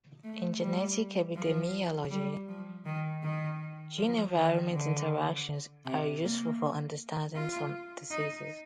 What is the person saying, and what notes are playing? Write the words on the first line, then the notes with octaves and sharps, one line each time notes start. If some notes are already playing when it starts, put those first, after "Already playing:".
In genetic epidemiology, gene-environment interactions are useful for understanding some diseases.
A3
G3
F3
G3
F3
D#3
D#3
F3
D#3
D3
C3
A#3
F4
D#4